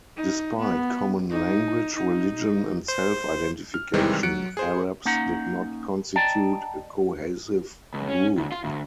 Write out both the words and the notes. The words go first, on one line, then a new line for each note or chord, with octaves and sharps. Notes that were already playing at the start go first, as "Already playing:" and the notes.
Despite common language, religion, and self-identification, Arabs did not constitute a cohesive group.
D#4
B3
D#4
D#4
C5
F6
C3 D#3 E3 G3 G#3 C4
F#3 F#6 C#7 D7
G#4 C5
A#3 C#4 D#4 F#5 A#5
D5 D#5 G5 A5 A#5
C#2
C#4
D2
F4
D2